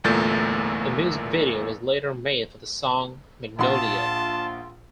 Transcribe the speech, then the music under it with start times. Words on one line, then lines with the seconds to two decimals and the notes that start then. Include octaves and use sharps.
A music video was later made for the song "Magnolia".
0.04 G1 E2 A#2 A3 G6 A6
3.59 A#1 F4 F#5 A5 C6